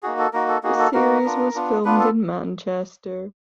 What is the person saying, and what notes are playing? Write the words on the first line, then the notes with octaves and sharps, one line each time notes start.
The series was filmed in Manchester.
A#3 D#4 F#4 G#4
A4
A#3 D#4 F#4 A#4
A4
A#3 D#4 F#4 G#4
A4
A#3 D#4 F#4 A#4
B3 D4 F4
B3 D4 F4
B3 D4 F4 B4
A4